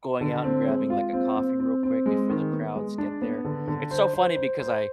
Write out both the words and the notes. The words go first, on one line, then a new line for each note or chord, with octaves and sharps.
going out and grabbing like a coffee real quick before the crowds get there. It's so funny because I
D3
C4
G#3
F4
C4
C4
C4
C4
G#3
D#3
B3
G#3
D4
B3
D3
D3
C5
C5
C5
C5